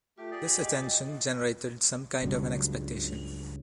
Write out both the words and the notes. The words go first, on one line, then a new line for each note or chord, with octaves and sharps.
This attention generated some kind of an expectation.
A3 F4 G4
G4 G#4 D5
D#5 G5 G#5
F#4
D#5 G5
C#2 G2 C#3 F#3